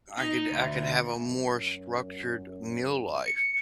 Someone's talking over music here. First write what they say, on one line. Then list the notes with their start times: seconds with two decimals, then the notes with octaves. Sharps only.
I could I could have a more structured meal life.
0.18 D#4
0.51 D2
1.26 F#2
3.26 C#7